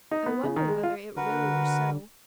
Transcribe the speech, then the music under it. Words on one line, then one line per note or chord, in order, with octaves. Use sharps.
I wondered whether it really were so.
D#4
B3
C#3
D#3
G#3
F4
D3 F#4 A#4 B4